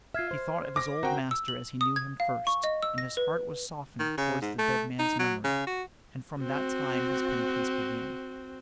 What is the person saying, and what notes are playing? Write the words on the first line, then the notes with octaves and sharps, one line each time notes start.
He thought of his old master as he knew him first, and his heart was softened towards the dead man's memory; and from that time his penitence began.
F4 E5 F6 G#6 C7
C5
D6 A#6
C4 F#4 A#4 C5 G5 A#5
E6
F#7
D#6
G#6
F5
C#6
D#5
E6
A#6
B4
D#3
C#3
G#2
A3
D#4
F#3
C#3
F#4
C4 F#4